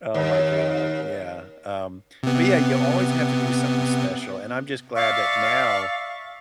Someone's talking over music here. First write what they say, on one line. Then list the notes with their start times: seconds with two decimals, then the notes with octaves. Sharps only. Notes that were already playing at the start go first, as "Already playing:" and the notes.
Oh my god. Yeah. Um, but, yeah, you always have to do something special. And I'm just glad that now,
0.14 D#2
2.23 C3 B3
4.96 D5 E5 F5 C#6